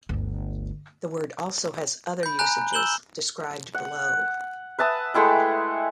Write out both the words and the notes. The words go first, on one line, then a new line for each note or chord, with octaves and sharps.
The word also has other usages, described below.
G1 D2
B5 G6
G#5 A#5 F#6
E6 G6 E7 F#7 G7
F#5
B4 E5 A5 D#6
G#3 A3 E4 G5